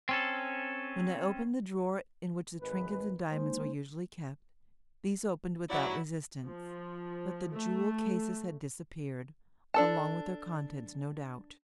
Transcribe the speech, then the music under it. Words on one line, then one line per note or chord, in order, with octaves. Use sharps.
When I opened the drawer in which the trinkets and diamonds were usually kept, these opened without resistance, but the jewel cases had disappeared, along with their contents no doubt.
C4 C#4 A4
G#1 G#3 B4
G#3 A#3 D#4 C5
F#3 E4 D5 F#5
F3
A3
D4 A4 A5